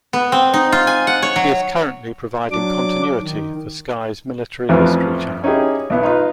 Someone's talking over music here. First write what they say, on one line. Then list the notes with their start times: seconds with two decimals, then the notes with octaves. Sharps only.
He is currently providing continuity for Sky's Military History Channel.
0.13 B3
0.32 C4
0.54 D#4
0.72 F4
0.87 G#5
1.07 F#5
1.22 C#5
1.36 F#3
2.51 F#3 D4 D6
3.21 D#3
4.69 A1 F2 E3 F3 F4 B4
5.44 C#4 D#4 E4 G4 G#4
5.90 B1 B3 E4
6.03 D#4 F4 B4